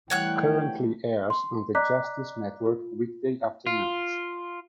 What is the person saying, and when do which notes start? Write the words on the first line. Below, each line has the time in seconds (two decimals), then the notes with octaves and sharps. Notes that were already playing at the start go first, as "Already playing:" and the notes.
Currently airs on the Justice Network weekday afternoons.
0.10 E3 G3 A3 C#5 F#5 G5 F#6
1.30 C6
1.75 D5 D#5 A#5 D6 F#6 B6
2.66 F4
3.67 F4